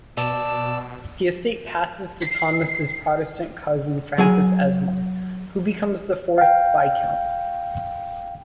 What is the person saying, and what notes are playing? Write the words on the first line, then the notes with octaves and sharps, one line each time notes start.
The estate passes to Thomas's Protestant cousin Francis Esmond, who becomes the fourth viscount.
B2 D5 A5 E6
C7
F#3 G#4 G#5
F5 G5